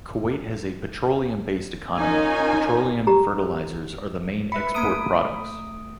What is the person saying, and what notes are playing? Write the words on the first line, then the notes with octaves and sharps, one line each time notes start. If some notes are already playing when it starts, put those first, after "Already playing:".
Kuwait has a petroleum-based economy, petroleum and fertilizers are the main export products.
C#4 D#4 F4 A#4 G#5
G4 A#5
B4 E5 B5 C#7
A3 A#3 A#5 D#6 D7 D#7